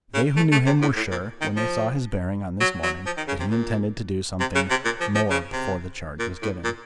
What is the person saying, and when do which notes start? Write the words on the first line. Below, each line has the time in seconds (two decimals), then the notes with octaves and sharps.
They who knew him were sure, when they saw his bearing on this morning, that he intended to do something more before the charge was given.
0.14 C#3
0.37 A3
0.52 A3
0.66 C3
0.82 A2
0.96 A2
1.11 A#2
1.42 D#3
1.57 F3
2.61 F#3
2.83 F#3
3.06 F3
3.17 D#3
3.28 C#3
3.40 C3
3.50 A#2
4.40 C3
4.55 C#3
4.70 C3
4.85 A#2
5.01 F3
5.15 F3
5.30 C#3
5.53 C3
6.20 A#2
6.42 A2
6.65 A#2